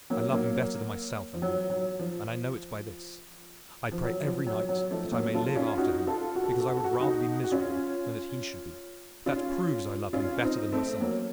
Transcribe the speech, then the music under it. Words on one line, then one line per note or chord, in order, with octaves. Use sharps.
I love him better than myself, Ellen; and I know it by this: I pray every night that I may live after him; because I would rather be miserable than that he should be: that proves I love him better than myself.'
F#3 A#3
F#3 A#3
F3
F#3
F#3
F3
F3
F#3
F3
F#3
F#3
F3 A3
F#3 A#3
F4 A4
C#4 F4
D#4 F#4
F4 A4
F#4
A4
F#4
A4
F#4
A4
F#4
A4
D#4 F#4
F#4
C#4 F4
C#4 F4
C#4 F4
C4 D#4
A3 C4
F#3 A#3